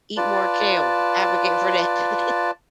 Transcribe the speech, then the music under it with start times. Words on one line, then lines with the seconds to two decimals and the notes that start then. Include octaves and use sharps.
Eat more kale, advocate for that.
0.17 F4 B4 D5 A5